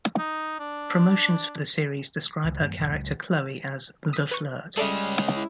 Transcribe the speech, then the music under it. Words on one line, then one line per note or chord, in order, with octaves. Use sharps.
Promotions for the series describe her character Chloe as "The Flirt".
D#4
D4
C#2
G2 E3 A3 A#3
B1 E2 G#2 B2
C#2 F#3
D#6 E6 B6
B4 C#6
G3 G#3 C#4 A4 D5 E5
E4